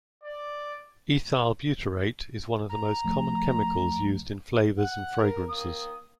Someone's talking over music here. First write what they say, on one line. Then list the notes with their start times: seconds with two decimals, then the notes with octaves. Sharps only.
Ethyl butyrate is one of the most common chemicals used in flavors and fragrances.
0.23 D5
2.69 A#5
3.04 C2 F3 A3
4.78 F#5
5.20 A#4
5.49 A#3 D#6